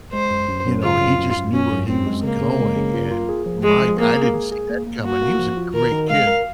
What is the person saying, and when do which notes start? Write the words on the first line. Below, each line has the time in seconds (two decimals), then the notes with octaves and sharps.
you know, he just knew where he was going, and my g I didn't see that coming, he was a great kid,
0.13 G#3 C5
0.31 F#2
0.48 F#2
0.66 F#2
0.82 C#3 F4
1.01 F#2
1.18 F#2
1.36 F#2
1.53 F#2 C#4
1.71 F#2
1.88 F#2 C4
2.06 G#3
2.24 C#3 A#3
2.41 C#3
2.59 G#3
2.76 C#3
2.94 F4
3.11 F4
3.29 G#4
3.46 F3
3.64 G#3 G#4
3.81 F3
3.99 A#3 G#4
4.16 G#4
4.34 G#4
4.52 G#4
4.70 A#3
4.87 A#3
5.04 A#3 F#4
5.22 A#3
5.39 F3
5.57 F4
5.74 D#3 A#4
5.92 D#3
6.09 G#3 F5
6.27 A#4